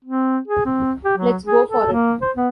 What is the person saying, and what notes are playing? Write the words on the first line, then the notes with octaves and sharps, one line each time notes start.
Let's go for it.
C4
G#4
C4
G4
F#3
G#4
A4
A#3
C5
B3